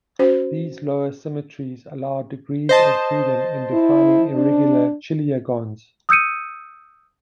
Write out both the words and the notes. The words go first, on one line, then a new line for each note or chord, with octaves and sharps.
These lower symmetries allows degrees of freedom in defining irregular chiliagons.
C#4 F#4 C5
C5 D#5 A5
E4
D4
D#6 E6 G6 C#7 D#7